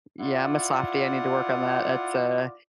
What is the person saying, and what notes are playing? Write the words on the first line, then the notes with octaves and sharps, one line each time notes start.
Yeah, I'm a softy, I need to work on that, it's, uh,
E4 F4 D5 F#5